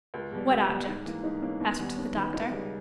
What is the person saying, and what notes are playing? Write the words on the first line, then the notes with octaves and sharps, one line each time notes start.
'What object?' asked the doctor.
C#2 A#4
B2 G3 G#4
C#2 G4
B2 G3
G#2
E3 A#3
G#2 D#4
E3 A#3 C#4
D#2 B3
D#3 G3 B3
D#2 C#4
D#3 G3 B3
C#2 D#4
C#3 G3